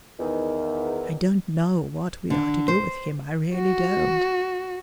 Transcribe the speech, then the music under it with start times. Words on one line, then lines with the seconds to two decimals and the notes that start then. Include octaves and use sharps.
I don't know what we are to do with him, I really don't.'
0.19 E2 D#3
2.30 D3
2.68 C5
3.56 F#4